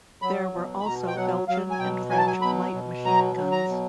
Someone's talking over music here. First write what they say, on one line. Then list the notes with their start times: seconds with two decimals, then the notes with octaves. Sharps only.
There were also Belgian and French light machine guns.
0.22 F#3 B5
0.54 B2
0.80 B5
0.85 B2 A#5
1.07 G5
1.16 F#3 F#5
1.48 F#3 F5
1.71 G#5
1.79 B2 G5
2.10 F#3 G#5
2.18 A5
2.27 G#5
2.42 B2 B5
2.73 B2
3.05 F#3 A#5
3.36 F#3
3.52 A#5
3.68 B2